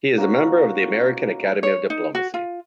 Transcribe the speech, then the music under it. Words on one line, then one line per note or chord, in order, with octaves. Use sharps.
He is a member of the American Academy of Diplomacy.
A#3 C#4 D#4 F#4
C#5
D#4
F#4
F4